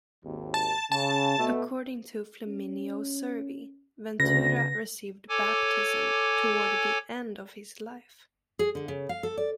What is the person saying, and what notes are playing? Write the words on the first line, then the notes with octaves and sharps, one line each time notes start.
According to Flaminio Servi, Ventura received baptism toward the end of his life.
G#1 D#2
A5
C#3 A5
B2 A3
C#4
D2 C#3 B4 A#6
A4 C#5 G#5 D6
G#4
D3
C#3
F5
A4
D5